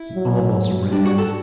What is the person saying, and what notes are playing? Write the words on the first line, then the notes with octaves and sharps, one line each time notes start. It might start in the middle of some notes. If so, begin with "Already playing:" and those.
He almost ran.
Already playing: E4
F#3
G3 D4 D5
F#4 F#5
A4 A5